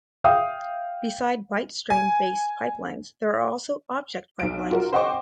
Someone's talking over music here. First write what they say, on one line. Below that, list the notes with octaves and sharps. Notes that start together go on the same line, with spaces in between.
Beside byte stream-based pipelines, there are also object pipelines.
E5 F5 G5 D#6
G#5
B1 D7
F4 F#4 A#4
C5 D#5 F#5 G5 C#6 D6